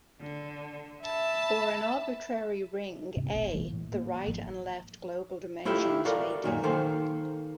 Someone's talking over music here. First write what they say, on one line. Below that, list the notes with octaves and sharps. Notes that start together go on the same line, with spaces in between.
For an arbitrary ring "A" the right and left global dimensions may differ.
D3
E5 A5 B5
G#2 C3 C#4
E1 A#1 B2
E3 G#3 A#3
A2
A#3
G#1 G#2 F3
A3 E4 F4 G4 A4
F#4 A4 A#4 D5 F5
F#2 A#2 D#3
D#3 A#3 A4 C5